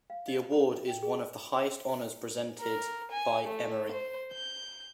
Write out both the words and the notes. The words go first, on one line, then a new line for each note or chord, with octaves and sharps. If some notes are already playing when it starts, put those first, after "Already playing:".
The award is one of the highest honors presented by Emory.
F5
D#5
A#5
G5
G#4
A#4
G#5
A3
C5
G6